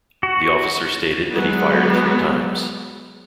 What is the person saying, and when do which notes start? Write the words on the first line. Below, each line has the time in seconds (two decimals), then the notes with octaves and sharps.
The officer stated that he fired three times.
0.23 F#4
1.31 F#3 G#3 B3